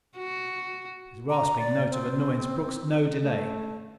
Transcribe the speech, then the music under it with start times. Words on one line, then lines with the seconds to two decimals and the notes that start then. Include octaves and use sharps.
His rasping note of annoyance brooked no delay.
0.17 F#4
1.30 A#5
1.59 D5
1.90 C4
3.21 A3